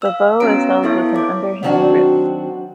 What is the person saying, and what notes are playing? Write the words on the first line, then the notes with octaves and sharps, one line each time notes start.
The bow is held with an underhand grip.
F5 E6
B3 C#4 F#4 C#5 A#5 D7
B3 E4 A4 E5 C#6 G6
A4 C#5 D6
D#3 F#3 C4 D4 F#4